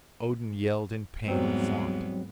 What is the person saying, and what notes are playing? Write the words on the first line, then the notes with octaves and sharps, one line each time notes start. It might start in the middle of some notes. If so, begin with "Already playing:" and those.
Odin yelled in pain and fought.
E2 G#2 F#3 G3 B3 C4